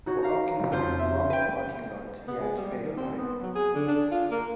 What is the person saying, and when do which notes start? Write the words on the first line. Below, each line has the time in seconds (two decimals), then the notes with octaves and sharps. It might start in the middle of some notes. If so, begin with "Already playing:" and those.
For occupying the wrong parking lot he had to pay a fine.
0.06 D#4 F#4 C#5
0.23 G4 F5 A#5
0.72 F2 F4 C5
0.99 E5
1.30 B4 G5
2.28 B3
2.40 G#3
2.57 G3
2.84 D#3
2.97 C4
3.18 B3
3.42 F#3
3.55 G#4
3.75 D3
3.88 D4
4.12 F4
4.31 A#3